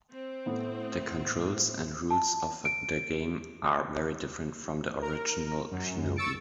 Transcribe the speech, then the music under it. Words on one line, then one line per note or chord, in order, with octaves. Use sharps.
The controls and rules of the game are very different from the original "Shinobi".
C4
A2 B3 A4
A5
D7
A#4
F#2
C#6 E6 A6 C#7 D7